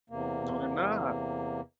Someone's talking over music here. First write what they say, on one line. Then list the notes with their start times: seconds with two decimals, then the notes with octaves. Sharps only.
No, they're not.
0.10 E2 C3 A#3